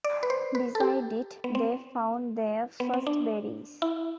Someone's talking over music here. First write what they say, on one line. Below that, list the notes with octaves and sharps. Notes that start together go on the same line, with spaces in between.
Beside it they found their first berries.
D5
B4
C5
B4
A4
G4
B3
C4
B3
C4
D4
E4